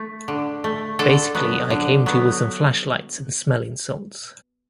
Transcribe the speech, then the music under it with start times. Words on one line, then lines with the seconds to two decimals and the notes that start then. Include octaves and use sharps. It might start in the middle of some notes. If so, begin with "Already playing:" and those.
Basically, I came to with some flashlights and smelling salts.
Already playing: A3
0.28 D3
0.64 A3
0.99 D3 A4
1.35 F#3 B3
1.70 D3
2.06 F#3 B3